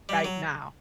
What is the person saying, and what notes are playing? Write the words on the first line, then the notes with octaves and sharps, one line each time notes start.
right now
G3
F#3